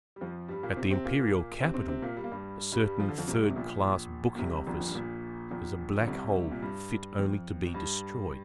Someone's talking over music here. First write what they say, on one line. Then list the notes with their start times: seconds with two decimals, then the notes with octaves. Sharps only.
At the Imperial Capital a certain third class booking-office is a Black-Hole fit only to be destroyed.
0.16 G3
0.21 F2 F3
0.48 G2 G3
0.63 A#2 A#3
0.76 C3 C4
0.91 C3 C4
1.05 A#2 A#3
1.61 C3 C4
1.74 C3 C4
1.88 C3 C4
2.02 A#2 A#3
2.17 G3
2.24 A#3
2.32 G2 G3
2.72 G2 G3
3.00 F3
3.09 D3
3.18 F2 F3
3.28 C2 C3
3.50 C3
3.56 A#1 A#2
4.36 A#2
4.39 C2 C3
4.67 A#1 A#2
4.80 F2
4.88 G2
4.95 A#1 A#2
5.51 A#1 A#2
6.01 D3
6.07 C2 C3
6.51 A#2
6.62 G2
7.19 F2
7.67 F2
7.74 G2